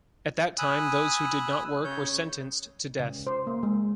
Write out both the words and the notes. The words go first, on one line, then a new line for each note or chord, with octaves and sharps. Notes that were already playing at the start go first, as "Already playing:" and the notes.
At that time, those who did not work were sentenced to death.
G#5 B5 D#6 E6 F#6
C#3 C#5 G6
C#3
C5
A#3
G#3